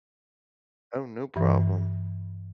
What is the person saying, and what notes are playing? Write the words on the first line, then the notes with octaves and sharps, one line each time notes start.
Oh, no problem.
G2 E3